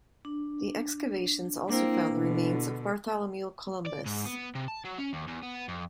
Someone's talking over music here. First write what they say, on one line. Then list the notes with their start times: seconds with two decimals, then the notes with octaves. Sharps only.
The excavations also found the remains of Bartholomew Columbus.
0.25 D4
1.70 A#3 C4 D4 E4
2.12 B2 D3
3.86 D5
4.06 G#2
4.25 B3
4.55 C3
4.68 A5
4.85 F#3
4.98 C#4
5.13 D#2
5.27 E2
5.43 B3
5.68 F2